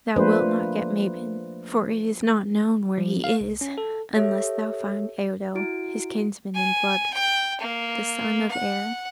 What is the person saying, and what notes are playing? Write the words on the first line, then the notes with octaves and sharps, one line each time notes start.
Thou wilt not get Mabon, for it is not known where he is, unless thou find Eidoel, his kinsman in blood, the son of Aer.
F3 A3 A#3 D4 B4 C5
F3
F5
C2
C#4
A4
G4 A4 C#5 E5
E4 F#4 D7
G#5
G5
A#3
F#5